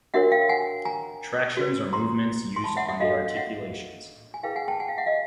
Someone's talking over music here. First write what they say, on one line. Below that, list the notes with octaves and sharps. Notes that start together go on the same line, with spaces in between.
Tractions are movements used on the articulations.
D4 F#4 A#4 C#5 E5 F#5
F5 G5
G5
F#5 G#5
G#5 A#5
F#4 B4
A#5 C6
C6
A5 B5
E5 F#5
E5 F#5
D4 F#4 A4 D#5 F5
F5
E5 F#5
G#5
E4 G#4 B4 F5 G5
F#5 G#5
G5 A5
F#5 G#5
F5 G5
E5 F#5
D#5 F5